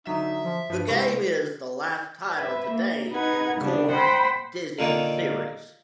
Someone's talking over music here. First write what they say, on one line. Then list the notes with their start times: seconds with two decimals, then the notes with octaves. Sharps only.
The game is the last title to date in the core "Dizzy" series.
0.07 D3 F#3 D#4 E5
0.43 F3
0.70 G2 F3 B4 D#7
0.88 C3 G3 G#3 E4 B4 C#6
2.36 B4 E5
2.70 A#3
3.12 D#4 B4 F#5 G#6
3.62 C#3 G3 B3 D4
3.91 C5 F#5 G5 B5 C6
4.79 A#2 D3 D#3 A#3